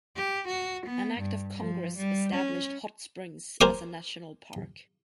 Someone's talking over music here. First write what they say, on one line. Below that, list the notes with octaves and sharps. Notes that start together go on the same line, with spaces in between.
An act of Congress established Hot Springs as a national park.
G4
F#4
B3
G2
F3
G3
C#4
A#4 C5 G#5 D6